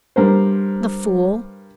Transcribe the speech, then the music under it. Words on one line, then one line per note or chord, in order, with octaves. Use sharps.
The fool!
G2 A#4 C5